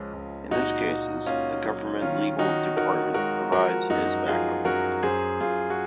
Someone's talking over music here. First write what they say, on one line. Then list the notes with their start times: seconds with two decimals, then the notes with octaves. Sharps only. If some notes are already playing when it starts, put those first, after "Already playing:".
In those cases the Government Legal Department provides his back-up.
Already playing: C#2 F3 G#3 C#4
0.13 C#2
0.51 A#2 D#4 F#4
0.89 A#3
1.27 A#3 C#4 F4
1.64 F#3
2.01 D#3 C#4 F4
2.39 D#3 D#4 F#4
2.77 D#3 F#4 A#4
3.14 G#3 F#4 A#4
3.52 F3 F#4 A#4
3.90 F#2 D#4 F#4
4.28 F3 F4 G#4
4.65 F#2 F#4 A#4
5.03 F#2 G#4 C5
5.40 F#2 F4 G#4
5.70 F#4